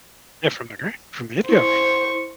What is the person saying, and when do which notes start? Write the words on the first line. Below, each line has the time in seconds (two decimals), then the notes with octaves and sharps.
Yeah, from the gr from the get-go
1.49 E4 C5 C#6